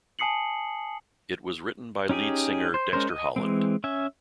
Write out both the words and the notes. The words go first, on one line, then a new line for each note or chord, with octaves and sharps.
It was written by lead singer Dexter Holland.
G#5 A5 D#6 C7 C#7 F#7
C#4 D#4 G4 G#4 G#5
C5
G#3 C#4 A#4 C5
D#5
E3 G#3 C4
C#4 E5 G#5